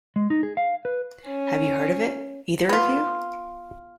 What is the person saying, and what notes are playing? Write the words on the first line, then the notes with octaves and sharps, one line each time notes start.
Have you heard of it, either of you?
G#3
D#4
G#4
F5
B4
C#4
B3 F4